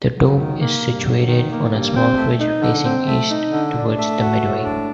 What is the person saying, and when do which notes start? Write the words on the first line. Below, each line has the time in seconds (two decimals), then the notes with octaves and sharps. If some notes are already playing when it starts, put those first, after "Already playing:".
The tomb is situated on a small ridge facing east, towards the Medway.
0.13 F#3
0.35 D#3
0.58 A#3
0.80 G2
1.02 F#3
1.25 D#3
1.48 A#3
1.71 G2
1.93 C4
2.16 A3
2.38 D#4
2.60 D3
2.83 C4
3.06 A3
3.28 D#4
3.51 D3
3.73 D4
3.96 A3
4.18 F#4
4.41 A2
4.63 D4